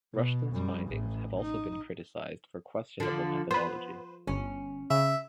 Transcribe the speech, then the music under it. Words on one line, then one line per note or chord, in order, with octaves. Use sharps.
Rushton's findings have also been criticized for questionable methodology.
B2
F#2 G3
A1 A2
D#4
D3 F3
B3 B4 C5
G1 C#4
C#3 E5